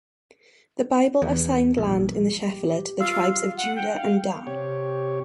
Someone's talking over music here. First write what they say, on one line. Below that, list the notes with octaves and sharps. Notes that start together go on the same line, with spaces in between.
The Bible assigned land in the Shephelah to the tribes of Judah and Dan.
E2
A#1
G4
F4 F5 E6
F#5
G5
F5
C3 G4 C#5